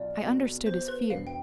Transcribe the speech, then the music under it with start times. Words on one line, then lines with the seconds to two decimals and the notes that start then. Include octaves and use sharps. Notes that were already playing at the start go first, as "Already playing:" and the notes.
I understood his fear.
Already playing: B1 F4 D5
0.22 B2
0.66 B2 C5
0.88 B4
1.10 E1 F5
1.27 G5